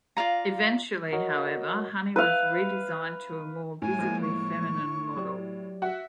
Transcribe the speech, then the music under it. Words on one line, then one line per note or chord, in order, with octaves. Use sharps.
Eventually, however, Honey was redesigned to a more visibly feminine model.
F4 D5 F5 A#5
F#4 A#4 C#5 D#5
B4 F5
A2 G#5
F3 G#3 A#3
C#6
F#3 G4 D5
F#4 E5